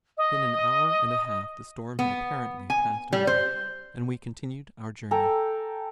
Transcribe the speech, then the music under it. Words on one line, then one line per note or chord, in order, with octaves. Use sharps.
Within an hour and a half the storm had apparently passed over, and we continued our journey.
D#5
B3
G#5
G3
C5
A4 G5 G#5 A#5